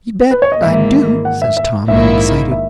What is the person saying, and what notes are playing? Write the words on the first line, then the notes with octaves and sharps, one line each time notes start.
"You bet I do," says Tom, all excited.
B4
C#5
D#5
G#1 G#2 E3 A#3 E5
F#5
E5
E5
A#1 G#2 D#3 A#3 E4 E5
E5